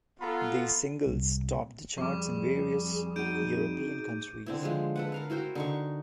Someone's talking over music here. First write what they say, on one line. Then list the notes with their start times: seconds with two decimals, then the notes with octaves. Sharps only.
These singles topped the charts in various European countries.
0.21 B3 F4 A4 A#5 B5
1.06 C2
1.98 F2 G3 G#4 C#6 D6
3.16 D#4 F#4 F#5 G6 D7 D#7
4.46 D3 C4 E4
4.61 D3 F3 G#3
4.96 A4 B4 F#5
5.12 A#4 F5 F#5
5.30 E4 F#4 C5 G5
5.55 D3 D#4 C#6